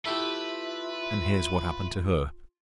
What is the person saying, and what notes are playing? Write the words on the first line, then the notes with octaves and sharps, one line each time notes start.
And here's what happened to her.
A3 E4 F4 G4 B4 E5